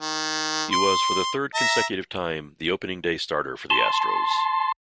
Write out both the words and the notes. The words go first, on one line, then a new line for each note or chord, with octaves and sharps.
He was for the third consecutive time, the opening day starter for the Astros.
D#3
C6
E5 A#5
A5 C6